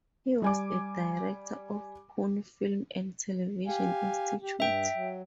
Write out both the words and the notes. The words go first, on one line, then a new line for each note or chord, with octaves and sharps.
He was the director of Pune Film and Television Institute.
G3 G#5 D6
G4 F5 G#5
G4
G2 E5 G5
F#3